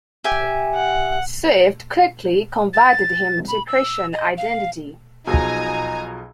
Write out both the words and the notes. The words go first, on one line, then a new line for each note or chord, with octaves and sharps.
Swift quickly converted him to Christian Identity.
G4 E5 G#5
F#5
A6
B5
E6
D#5
F5
B1 B2 F3 D#4 G#4 G#5 A#5 E6